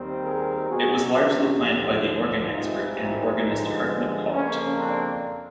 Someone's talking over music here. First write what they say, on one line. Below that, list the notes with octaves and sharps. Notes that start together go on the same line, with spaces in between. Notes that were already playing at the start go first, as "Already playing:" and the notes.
It was largely planned by the organ expert and organist Hartmut Haupt.
Already playing: D#2 D#3 G3 C4
G#4 A#4
B2 F#3 B3 F#4 G#4
F4 G4
D2 D3 F3
G#2 E3 G3 C4 D#4 F4
D#4 F4
G2 D3 F3 G#3
F2 C#3 F3 A#3 C#4
C4 D4